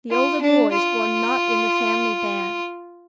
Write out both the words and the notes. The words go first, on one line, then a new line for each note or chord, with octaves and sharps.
The older boys were not in the family band.
F4
D4
F4